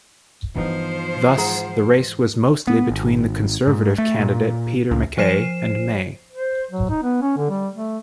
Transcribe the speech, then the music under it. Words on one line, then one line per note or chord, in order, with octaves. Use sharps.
Thus, the race was mostly between Conservative candidate Peter MacKay and May.
G2 E3 F3 B3 D#4 C5
G#2 G#4 F#5 A#5
B3
G#1
G#2
A3
A#2
C#2
F3 C5 C7 E7
C5
F#3
D#4
B3
C#4
D3
G3
A3